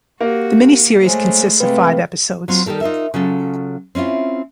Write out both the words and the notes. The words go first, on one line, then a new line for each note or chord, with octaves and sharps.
The mini-series consists of five episodes.
A#3 F#4 G4
G#3 A3 C5 C#5 G#5
C3 G#3 A3 C4 B4 F5 G5
F#3 C4 F4
D#3 G3 G4 A4 A#4
D#4 F4 A#4 E5
C#3 F#3 F4 A4
C4 C#4 E4 F4